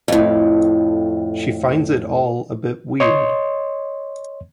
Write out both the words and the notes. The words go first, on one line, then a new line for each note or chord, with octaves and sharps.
She finds it all a bit weird.
F2 A2
C#5 D#5 C6